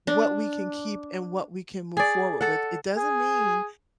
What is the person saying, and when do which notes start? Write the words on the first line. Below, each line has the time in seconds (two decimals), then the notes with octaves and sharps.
what we can keep and what we can move forward with. It doesn't mean
0.07 D4
1.97 G#4 D5
2.41 A4 F#5
2.97 G#4